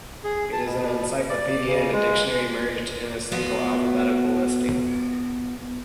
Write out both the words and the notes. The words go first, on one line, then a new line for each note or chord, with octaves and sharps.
It is an encyclopedia and a dictionary merged in a single alphabetical listing.
G#4
A5
B2
D5
C#3
G#3
B2 B3 F4 F#4